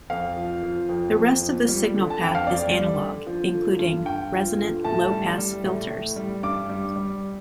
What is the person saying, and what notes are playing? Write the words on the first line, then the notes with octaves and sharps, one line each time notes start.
The rest of the signal path is analog, including resonant low-pass filters.
F2 F5
F3
F3
F2
F2
F3
G3
D3
A5
F2 G5
F5
F2 D5
G3
D3
F3
D3
G2
G2 G5
F3
D3
A2 A5
G3
G3
A2
A2
G3
G2 D6
G3
G3